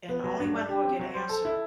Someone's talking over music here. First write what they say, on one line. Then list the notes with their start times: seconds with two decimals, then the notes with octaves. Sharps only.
and the only way I knew I'd get a answer
0.09 B3
0.24 F#3
0.39 G2
0.53 D4
0.69 G4
0.84 C4
0.99 F#3
1.14 C5
1.29 A4
1.45 E4